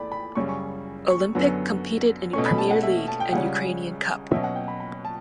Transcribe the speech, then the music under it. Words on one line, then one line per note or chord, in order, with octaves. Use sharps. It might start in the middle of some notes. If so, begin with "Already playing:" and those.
Olimpik competed in Premier League and Ukrainian Cup.
Already playing: E2 A3 D5 B5
B5
F#2 C#3 G3 C#4 C#6
C#6
C#6
F#2 D3 F#3 B3
B2 A3 C#4 C#6
B5
A5
F#5
E5
A5
G5
C#2 C#3 G3 C#4 F#5
B2 F#3 C#4 E5
F#5
G5
B5
B5
A5